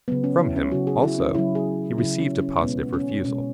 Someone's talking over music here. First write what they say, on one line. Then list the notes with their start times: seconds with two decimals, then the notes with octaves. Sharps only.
From him, also, he received a positive refusal.
0.08 C#3 F#3 B3
0.24 C#4
0.40 E4
0.56 C#4
0.71 C#3 F#3 F#4
0.87 G#4
1.03 E4
1.19 C#4
1.35 C#3 F#3 E4
1.55 G#4
1.98 C#3 F#3 E4
2.19 C#4
2.40 C#4
2.61 B2 G#3 B3
2.93 C#4
3.25 B2 G#3 C#4